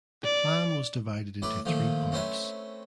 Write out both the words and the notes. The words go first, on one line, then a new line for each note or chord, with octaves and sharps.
The plan was divided into three parts.
D5
A2 A3 B4 D5
A#2 D#3 F3 A3
A3 C4 C#4 B4 E5